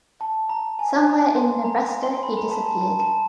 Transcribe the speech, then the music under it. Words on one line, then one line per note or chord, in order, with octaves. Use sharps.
Somewhere in Nebraska he disappeared.
A5
A#5
G#5
A#5
C6
A#5
A#5
C6
B5
A#5
A5
A5
A5
A5